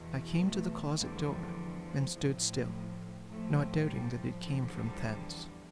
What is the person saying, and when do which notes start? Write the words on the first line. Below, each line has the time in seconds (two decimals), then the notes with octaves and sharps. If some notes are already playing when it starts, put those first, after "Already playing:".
I came to the closet-door, and stood still, not doubting that it came from thence.
Already playing: E2 B2
0.39 A3
0.96 E2 D3 F3 G3
1.84 F3
2.13 A2 F3
2.70 G3
3.28 A2 F3 A3
3.87 G3
4.15 F3
4.44 E2 D3 F3
4.73 G3